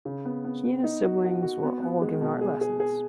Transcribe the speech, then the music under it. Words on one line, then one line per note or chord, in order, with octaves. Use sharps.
He and his siblings were all given art lessons.
C#3
B3
B3
B3
D#4
F#4
F#4
F#4
B3
B3
G#3
B2
G#4
G#4
G#4